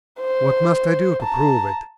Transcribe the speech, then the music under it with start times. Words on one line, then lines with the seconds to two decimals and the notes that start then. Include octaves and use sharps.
"What must I do to prove it?"
0.21 C5
1.23 A5 A#5